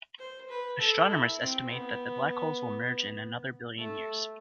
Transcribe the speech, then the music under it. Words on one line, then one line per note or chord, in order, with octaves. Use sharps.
Astronomers estimate that the black holes will merge in another billion years.
C5
B4
A4
E4
C4
B3
A3